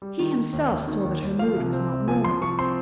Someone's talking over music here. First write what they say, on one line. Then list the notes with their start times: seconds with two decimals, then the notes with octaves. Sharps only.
He himself saw that her mood was not normal.
0.02 G3
0.19 D#3
0.36 D#3
0.53 D#2
0.70 D#2
0.88 D#3
1.05 D#2
1.22 D#2
1.39 F3 F5
1.56 C2
1.73 C4
1.90 C2
2.08 F3 G#5
2.24 C2 C6
2.41 F3 C#6
2.59 C4 C6